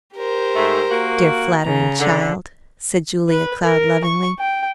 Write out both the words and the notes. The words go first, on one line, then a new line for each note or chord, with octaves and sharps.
"Dear, flattering child!" said Julia Cloud lovingly.
G4 A#4 C5
G#2 A3
A#3 F#4
C#3 A#5
D3
B4
A#4
C#6
G5